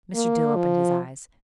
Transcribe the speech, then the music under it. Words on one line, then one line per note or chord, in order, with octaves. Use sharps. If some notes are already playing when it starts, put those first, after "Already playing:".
Mr. Dill opened his eyes.
A#3
F3